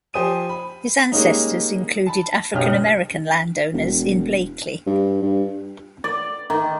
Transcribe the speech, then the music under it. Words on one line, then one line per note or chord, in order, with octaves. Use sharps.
His ancestors included African-American landowners in Blakely.
F3 G4 C5 G#5 D#6 D#7
B5
G3 G#3 A#3 C#4 D#4
A5 B5
F#1 B1 D4 G4 D#5 F6
E1
G2
G2
D5
D#3